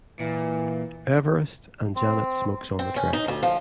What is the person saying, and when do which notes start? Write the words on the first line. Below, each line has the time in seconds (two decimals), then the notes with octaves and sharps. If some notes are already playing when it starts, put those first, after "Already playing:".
Everest, and Janet smokes on the trek.
0.20 A#2 E3
1.96 C4
2.79 C4
2.96 C#4
3.13 D#4
3.28 D2
3.43 F3